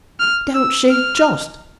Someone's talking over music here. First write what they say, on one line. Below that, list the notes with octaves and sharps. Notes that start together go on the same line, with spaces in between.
Don't she just!
F6
E6
F6